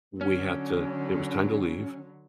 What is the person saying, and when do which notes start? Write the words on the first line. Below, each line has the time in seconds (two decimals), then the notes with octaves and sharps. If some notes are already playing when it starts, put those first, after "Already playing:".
we had to it was time to leave,
0.21 D3 F#3 C#4